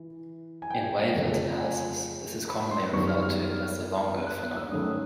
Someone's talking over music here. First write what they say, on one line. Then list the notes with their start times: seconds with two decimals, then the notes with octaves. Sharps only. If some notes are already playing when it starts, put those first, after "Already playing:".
In wavelet analysis, this is commonly referred to as the Longo phenomenon.
Already playing: E3
0.62 G#5
0.70 G5
1.14 F2 C#3 F3 A3
1.59 G#5
2.48 B5
2.71 C6
2.93 F#2 D#3 G3 B3 C#6
3.07 F6
3.23 F6
4.27 F#6
4.42 F#6
4.57 E6
4.72 G2 D#3 F#3 A3 C#4 D#6